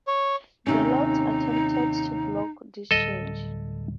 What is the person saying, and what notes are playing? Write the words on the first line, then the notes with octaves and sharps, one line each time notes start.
The Lords attempted to block this change.
C#5
D#2 C3 C#4 D#4
D1 G3 A4 D#5